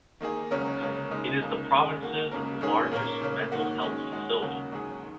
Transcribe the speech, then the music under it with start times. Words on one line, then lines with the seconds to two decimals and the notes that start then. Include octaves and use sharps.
It is the province's largest mental health facility.
0.20 D#3 A#3 D#4 G#4
0.51 C#2 C#3 F#3 C#4 A#4
0.81 C#2 C#3 A#3 C#4 A#4
1.11 C#3 G#3 D#4 A#4
1.41 C#2 C#3 A#3 D#4
1.71 D#2 C#3 G#3
2.01 D#3 A#3 F#4
2.31 C#2 C#3 A#3 C#4 A#4
2.61 G#2 D#3 A#3 C#4 G#4
2.92 A#2 A#3 C#4 A#4
3.21 C#3 A#3 C#4
3.52 G#2 D#3 A#3 F#4
3.82 D#3 G#3 C#4
4.11 D#3 G#3 F#4
4.42 D#2 C#3 F#3 A#3 F#4
4.72 G#2 F#3 C#4 G#4
5.02 D#3